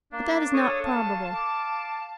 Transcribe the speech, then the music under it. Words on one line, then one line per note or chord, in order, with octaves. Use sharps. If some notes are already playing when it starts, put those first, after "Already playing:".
But that is not probable.
A#3 D4
A4 C#5 C#6 D#6
F5 A5
D6